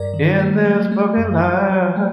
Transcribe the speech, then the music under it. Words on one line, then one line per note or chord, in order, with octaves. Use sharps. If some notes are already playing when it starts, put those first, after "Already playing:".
in this fucking life,
Already playing: G2 A#4 D5
D#3
A3
F#3
A3
F#2
F#3
F#3
A3